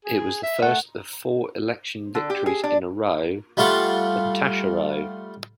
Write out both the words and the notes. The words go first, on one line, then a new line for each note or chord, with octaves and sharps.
It was the first of four election victories in a row for Taschereau.
G#4
E5
A3 F#5
D3
G4
G#4
D4
G3 A3 F4 F5 F#5